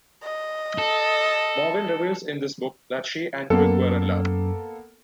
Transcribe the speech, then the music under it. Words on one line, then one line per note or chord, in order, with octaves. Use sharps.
Maugin reveals in this book that she and Twig were in love.
D#5
A4
F#2 A#3 B3 A4